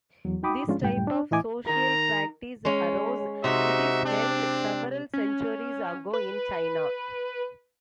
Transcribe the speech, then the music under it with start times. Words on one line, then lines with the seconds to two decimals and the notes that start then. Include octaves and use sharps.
This type of social practice arose, it is held, several centuries ago in China.
0.25 E2 F#3
0.43 D#4 F#4 G5 B5 D6 D#6
0.67 G#2 F3 G#3 C#4 D4 F4
0.81 C#2 F#2 A2 G3 G5
1.07 D4
1.31 A2 E3 E4 D#5 G#5 D6
1.67 D#3 A#4 A#5
2.65 G#3 C#4
3.44 C3 D#4 F#4 E5
4.05 C4 D4
5.13 C#4
6.13 B4